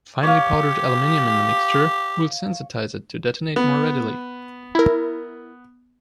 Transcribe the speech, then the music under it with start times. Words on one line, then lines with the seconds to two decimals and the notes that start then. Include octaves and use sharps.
Finely powdered aluminium in the mixture will sensitise it to detonate more readily.
0.23 G4 C#5 F5
3.56 B3
4.75 E4 A#4